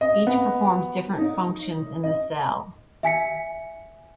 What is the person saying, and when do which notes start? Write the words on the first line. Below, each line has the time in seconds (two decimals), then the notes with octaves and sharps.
Each performs different functions in the cell.
0.01 D#5
0.27 B3
1.18 D#4
2.04 D#5
3.03 E5 G#5 B6 C#7